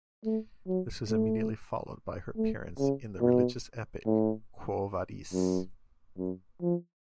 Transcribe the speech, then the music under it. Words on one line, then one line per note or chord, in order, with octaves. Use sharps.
This was immediately followed by her appearance in the religious epic Quo Vadis?
A3
F#3
A3
A3
C#3
B2
A2
F#2
F#2
F3